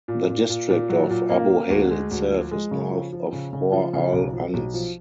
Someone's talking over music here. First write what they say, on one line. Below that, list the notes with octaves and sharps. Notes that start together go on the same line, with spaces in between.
The district of Abu Hail itself is north of Hor Al Anz.
A#2
A#2
A#2
A#2
F#3
A#2
A#3
A#3
D2
G#3
D2
F3
G#3
C#3
F3
F3
C#3
C#3
F3
C#3
B1
F3
B1
F3